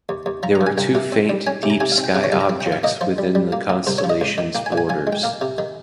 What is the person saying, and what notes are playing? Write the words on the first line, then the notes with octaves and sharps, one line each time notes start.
There are two faint deep sky objects within the constellation's borders.
D#2
D#2
F3 A#5
A#5
F3
G#5
C2 G5
C3
C4
G3
C#4 G#5
C3
A#5
C3 G#5
F5
C4
G5
C3 F5
C#5
C2 F5
A#5
C4
G5
F3
F5
A#3 D#5
F3 C5
G3
G3
A#3
A#3
C2 C5
C#5
F3
D#5
C#2
D#3
A#3 G5
G#5
A#2
G#5
F3 G#5
G#3
G5
A#3 F5
C3
D#3